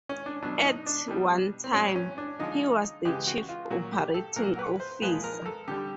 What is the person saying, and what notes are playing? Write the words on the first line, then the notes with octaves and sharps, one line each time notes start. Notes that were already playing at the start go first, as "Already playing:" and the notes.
At one time, he was the chief operating officer.
C#4
D4
B2 F#3 D4
D#4
D4
B2 G3
C4
A2 F#3 C#4
C#4
D4
D3 F3 G#3 D#4
C#3 E3 G#3 G4
F#4
F4
A#2 F#3 F#4
G4
A4
A#2 F#3 A#4
B4
C5
A#2 F3 G#3 B4
A#4
A4
D3 G3 G4